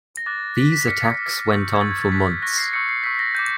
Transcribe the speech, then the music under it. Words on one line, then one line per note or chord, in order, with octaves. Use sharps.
These attacks went on for months.
A#6
D6 F#6 A6
D6 F#6 B6
B6
D6 F6 C#7
B6
D6 F6
C#6 E6 G6
G#6
C#6 E6 G6 A6
G#6
A6
C#6 F#6 B6
C#6 F#6 A#6
C7
C#6 E6 G6 C#7
C7
C#6 E6 G6 B6
B6
A#6
D6 G6